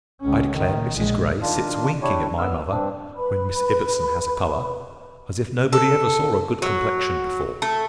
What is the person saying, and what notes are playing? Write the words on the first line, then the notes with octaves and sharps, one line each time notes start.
I declare Mrs Grey sits winking at my mother when Miss Ibbotson has a colour, as if nobody ever saw a good complexion before.
C#2 C#4
D#3
A#1 G#3
D#3 D4 F4
D4 E4 G4 C#5
B3 E6 F6
G2 C4 D4
B4 B5
A4
F#3
A3